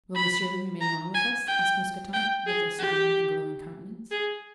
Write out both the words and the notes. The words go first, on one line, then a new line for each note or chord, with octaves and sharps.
"Will monsieur remain long with us?" asked Mousqueton, with a serene and glowing countenance.
B5
A#5
G#5
G5
G5
G#4
G4
G#4